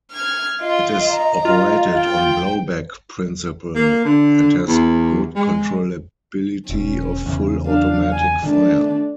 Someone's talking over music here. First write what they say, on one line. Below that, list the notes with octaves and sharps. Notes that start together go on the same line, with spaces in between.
It is operated on blowback principle and has good controllability of full automatic fire.
F6 G#6
F4 D#5
A#5
F4
G5
A#3
D3
E2
G#3
E1 C#4
E2 C#3
D4 F5
G#5
D#3 A3 D4